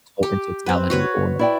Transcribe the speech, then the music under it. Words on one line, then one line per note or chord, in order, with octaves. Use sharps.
to in totality or
G4
C4 B4
F#4 B4 C#5
E4 D5 G5